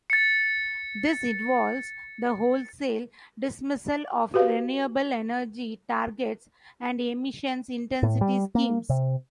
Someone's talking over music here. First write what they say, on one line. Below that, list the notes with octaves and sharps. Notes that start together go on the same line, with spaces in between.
This involves the wholesale dismissal of renewable energy targets and emissions intensity schemes.
A6 C#7
F#4 G4 B4 F5
A2
G3
A#3
C3